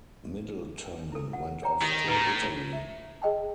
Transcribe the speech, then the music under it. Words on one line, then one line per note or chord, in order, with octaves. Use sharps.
Middleton went off to Italy.
E4 A4
F#5
C#5 G5 A#5
D#3 E4 G4
A2 B4 A#5
E5
G#4 D#5 G5 A5